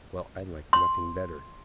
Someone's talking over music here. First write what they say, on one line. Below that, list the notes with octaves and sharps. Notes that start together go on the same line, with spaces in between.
Well, I'd like nothing better.
C6